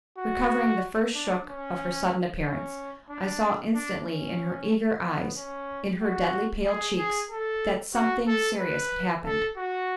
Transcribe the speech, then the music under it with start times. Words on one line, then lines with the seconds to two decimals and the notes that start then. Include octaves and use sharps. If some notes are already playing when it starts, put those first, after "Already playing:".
Recovering the first shook of her sudden appearance, I saw instantly in her eager eyes, in her deadly-pale cheeks, that something serious had happened.
0.18 F#4
1.15 D4
1.48 C#4
2.45 C#4
3.10 D4
3.74 D4
4.06 C#4
5.04 B3
5.36 C#4
6.01 F#4
6.65 G#4
6.97 G#4
7.31 A4
7.94 F#4
8.27 A4
8.59 B4
9.25 A4
9.57 F#4